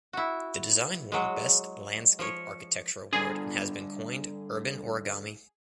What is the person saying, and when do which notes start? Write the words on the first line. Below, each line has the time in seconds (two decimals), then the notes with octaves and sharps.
The design won Best Landscape Architecture Award and has been coined "urban origami".
0.13 E4 F#4
1.12 F#3 G#3
2.19 F3 C#5
3.13 G2 D3 G#4